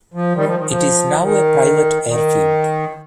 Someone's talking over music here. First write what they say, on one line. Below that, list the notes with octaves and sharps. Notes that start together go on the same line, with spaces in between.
It is now a private airfield.
F3
D#3 G3
F3
D#3
F3
D#3
D#3